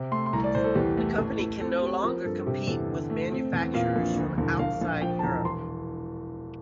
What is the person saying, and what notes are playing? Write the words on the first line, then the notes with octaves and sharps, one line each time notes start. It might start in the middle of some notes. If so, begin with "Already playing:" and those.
The company can no longer compete with manufacturers from outside Europe.
Already playing: C3
A3 C6
C6
C2 A#5
D5
C2 C5
A4
E2 G4
A3
A1
A3
C4 A4
C4 G4
F3 A#4
G2 A4
C3 G4
E2 A4
D3
A3
C4
E2
A#2 F5
A#1
D2
E1
A#1 F5
A#1
F3 G5
A5
E1 A#5
E3 C6